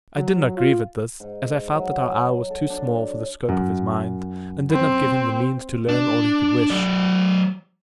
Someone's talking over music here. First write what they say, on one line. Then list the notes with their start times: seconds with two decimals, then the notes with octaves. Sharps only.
I did not grieve at this, as I felt that our isle was too small for the scope of his mind, and did not give him the means to learn all he could wish.
0.16 F#3
0.57 F4
1.20 G#2
1.74 F#3
2.50 A4
2.70 D4
3.49 F#2
4.71 C4
5.89 D4
6.70 F#3 D5